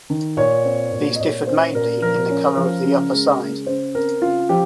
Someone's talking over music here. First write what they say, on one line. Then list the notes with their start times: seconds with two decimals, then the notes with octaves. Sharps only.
These differed mainly in the colour of the upper side.
0.10 D#3
0.37 A#2 C#5
0.65 C4
0.92 A#2
1.15 D#5
1.20 A#2 C#5
1.47 C#4 C5
1.75 A#2 A#4
2.02 F3 A#4
2.30 C#4
2.57 F3
2.84 C#3
3.12 G#3
3.40 C#3
3.66 C#3 C5
3.95 C4 A#4
4.22 C#3 F4
4.49 F3 G4